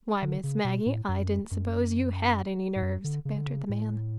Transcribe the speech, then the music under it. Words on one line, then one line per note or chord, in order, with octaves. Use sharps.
"Why, Miss Maggie, I didn't suppose you HAD any nerves," bantered the man.
D3
C#3
B2
A2
F#2
F#2
G#2
F#2
D3
C#3
D3
C#3
A2